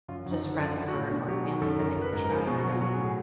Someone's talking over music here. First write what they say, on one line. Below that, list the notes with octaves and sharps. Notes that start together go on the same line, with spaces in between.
just friends or or family that I could try to
F#2 F4
F#2
D#4
D3 D4
E4
F#2
F4
E3 E4
F#4
A2
F4
B2 D4
F#3 G4
D#3 G#4
F#2 A4
F#2 A#4
A#4
F#2
B4
G#2 A#4
A#4
F3
G#4
B2 G#4
F#4
F#3 F4
F#3 F#4
G#4
A2
G#4